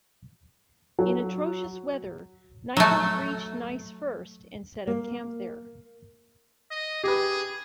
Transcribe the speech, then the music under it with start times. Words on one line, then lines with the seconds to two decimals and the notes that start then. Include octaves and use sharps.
In atrocious weather, Neipperg reached Neisse first and set up camp there.
0.99 F#3
2.77 F#3 A3
4.87 A#3
6.71 D#5
7.04 G4 G#4 B4